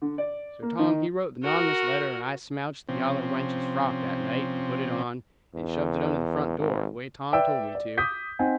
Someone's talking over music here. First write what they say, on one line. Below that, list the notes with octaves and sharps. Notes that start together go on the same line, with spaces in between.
So Tom he wrote the nonnamous letter, and I smouched the yaller wench's frock that night, and put it on, and shoved it under the front door, the way Tom told me to.
D3
D5
A#3
D#3
F#4 A#4
C3 F3 C4 C#4
E2
G#1
B4 D5 E5 G5 E6
D5
D6 D#6 G6 B6
C4 D#4 F#5 G#5